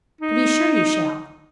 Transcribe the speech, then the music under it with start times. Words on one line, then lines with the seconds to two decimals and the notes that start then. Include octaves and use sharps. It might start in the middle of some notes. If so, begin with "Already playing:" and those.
"To be sure you shall."
0.21 D#4